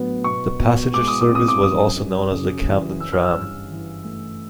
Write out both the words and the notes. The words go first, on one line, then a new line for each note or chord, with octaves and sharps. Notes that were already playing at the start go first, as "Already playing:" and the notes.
The passenger service was also known as the 'Camden Tram'.
Already playing: A2 F#3 B3 D4
B2 C#6
B2
G#3 D6
D#6
D6
C4
D#6
D6
F#2 D#6
F#2
C#3
E3
C#4 E6
F6
E6
G2
E3
A3